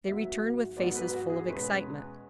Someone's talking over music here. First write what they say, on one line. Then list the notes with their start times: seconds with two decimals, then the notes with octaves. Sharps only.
They returned with faces full of excitement.
0.07 G#2 F#3 B3 E5
0.77 G#2 F#3 B3 D5
0.95 B4
1.12 F#4
1.30 G#4
1.48 E2 B2 G#3 C#4 B4